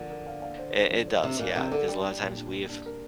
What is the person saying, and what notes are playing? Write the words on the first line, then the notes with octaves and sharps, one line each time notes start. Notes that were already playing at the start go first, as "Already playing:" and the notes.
It it does, yeah, because a lotta times we've,
Already playing: D3 F3 A#4
A#4
F5
F5
C5
C5
F3
C5
C3 D4
A#2 D4
C3 A#4
D3 A#4
G3 D4
D4
A#2
D4
A#3
D4
A#4